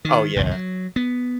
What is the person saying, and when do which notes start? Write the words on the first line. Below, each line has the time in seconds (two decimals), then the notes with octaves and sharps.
Oh, yeah.
0.05 D#3
0.36 G1 C2 F2 D#3
0.51 F#3
0.96 B3